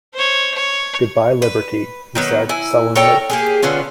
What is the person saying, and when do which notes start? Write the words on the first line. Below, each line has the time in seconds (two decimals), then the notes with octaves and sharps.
"Good-bye, liberty," he said sullenly.
0.14 C5 C#5
0.54 C#5
1.42 B4
2.15 D#3 F#3 B3
2.49 E4 G#5
2.96 A4 A#4 C#5 G5
3.30 A#3 G4 G#4
3.62 D3 B3 C#4 F4